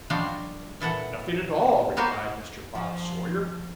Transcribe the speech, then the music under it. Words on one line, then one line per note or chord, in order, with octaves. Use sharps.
'Nothing at all,' replied Mr. Bob Sawyer.
F3 G3 G#3 D4 F4 F#4
A#2 E3 A4 F#5
A#3 B3 F#4 G4 A#4 C5
F3